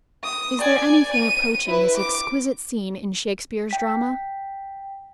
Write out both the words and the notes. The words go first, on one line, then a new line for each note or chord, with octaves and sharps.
Is there anything approaching this exquisite scene in Shakespeare's drama?
D#6
D5 G#5
D#7
E4 B4
D6
G5 B6